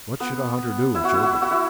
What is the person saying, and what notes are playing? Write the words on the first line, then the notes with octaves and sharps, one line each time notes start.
What should a hunter do with children?
B3 B4
E4 E5
F#4 F#5
E4 E5
F#4 F#5
E4 E5
F#4 F#5
E4 E5